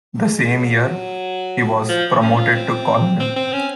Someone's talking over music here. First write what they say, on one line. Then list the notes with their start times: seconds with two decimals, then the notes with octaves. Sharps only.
The same year, he was promoted to Colonel.
0.26 G#3
0.58 F#3
1.89 F3
2.22 C#4
2.37 F4
2.54 C4
3.20 C4
3.36 C4
3.53 C#4